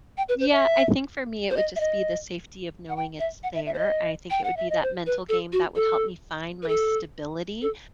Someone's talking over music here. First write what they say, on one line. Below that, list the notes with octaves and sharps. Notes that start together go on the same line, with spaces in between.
Yeah, I think for me it would just be the safety of knowing it's there and I think it would be that mental game that would help me find my stability,
G5
B4
C5
E5
C5
D#5
E5
D#5
F#5
G5
E5
F#5
E5
E5
C5
D#5
G5
F#5
E5
D#5
C5
B4
A4
F#4
A4
B4
A4
A4